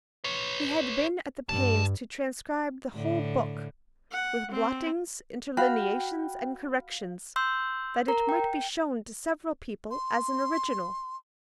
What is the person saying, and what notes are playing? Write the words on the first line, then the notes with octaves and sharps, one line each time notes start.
He had been at the pains to transcribe the whole book, with blottings, interlineations, and corrections, that it might be shewn to several people as an original.
B4 C#5
C2 G2 A5
A2 D3
F#5
C4
F#4 F5 G5 B5
C6 E6 G6
A#4 A#5
G5
C6